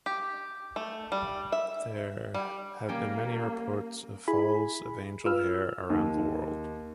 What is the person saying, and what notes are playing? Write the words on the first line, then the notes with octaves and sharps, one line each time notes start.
There have been many reports of falls of angel hair around the world.
G4
A3
G3
E5
G3
G3 A#3 C#4 G5
E4 G#4 G#5 B5
F4 B4 E6 F6
D#2